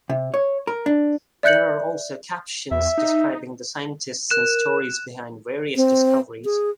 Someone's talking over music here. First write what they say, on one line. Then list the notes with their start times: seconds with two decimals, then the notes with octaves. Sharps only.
There are also captions describing the scientists and stories behind various discoveries.
0.10 C3
0.34 C#5
0.67 A#4
0.86 D4
1.43 D5 E5 F#6 G6 C#7 F#7
2.71 E2 E5
2.98 D#4
4.30 A#4 F#6 E7
5.76 C4
6.45 G#4